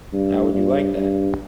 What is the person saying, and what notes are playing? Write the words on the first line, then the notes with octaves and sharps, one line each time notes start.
How would you like that?
G2
G2
G2